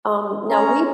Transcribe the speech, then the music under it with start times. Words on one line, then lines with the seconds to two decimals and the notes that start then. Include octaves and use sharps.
um, now we t
0.49 C#4 A#5